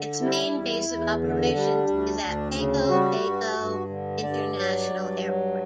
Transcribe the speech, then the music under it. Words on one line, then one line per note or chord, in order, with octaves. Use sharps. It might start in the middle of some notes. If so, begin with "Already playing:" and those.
Its main base of operations is at Pago Pago International Airport.
Already playing: D3
G3 E4
E2
E2
D3
G3 D4
D2
D2
C#3
G3 F#4
G2
G2
D3
G2 D5
F#3
G2
F#3